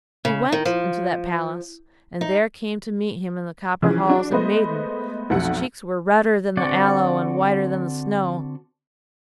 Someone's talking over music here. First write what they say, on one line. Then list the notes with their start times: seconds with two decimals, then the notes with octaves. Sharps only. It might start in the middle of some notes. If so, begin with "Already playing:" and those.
He went into that palace, and there came to meet him in the copper halls a maiden whose cheeks were redder than the aloe and whiter than the snow.
0.25 C#3
0.52 D#3
0.65 F3
2.21 D#4
3.82 E3 F3 C#4 G#4
4.09 D4 F#4
4.31 G#3 A3 B3 B4 C5 D#5
5.30 B1 F2 A3 F#5 C#7
6.57 D3 C4 F#4 D5 F#5